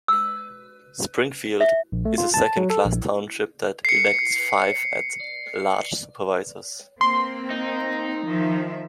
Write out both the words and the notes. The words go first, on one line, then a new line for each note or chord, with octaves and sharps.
Springfield is a second class township that elects five at-large Supervisors.
E6
E5
A#1
A3
F4
A5
F#3
A4
A#1
C7 C#7
A#3 C4 C6
D#4
D#3 F3 E5